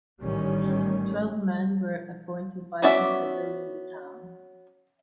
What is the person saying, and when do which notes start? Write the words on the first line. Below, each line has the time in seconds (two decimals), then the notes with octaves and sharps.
Twelve men were appointed by him for building the town.
0.21 A1 D#3 G3 C#4
2.82 B3 C#4 F#4 D5 E5